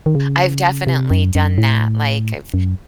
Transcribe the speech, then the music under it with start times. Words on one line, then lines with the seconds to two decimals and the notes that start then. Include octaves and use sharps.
I've definitely done that, like, I've
0.06 D#3
0.15 C#3
0.87 C3
1.11 F#2
1.35 F#2
1.58 A2
2.54 F#2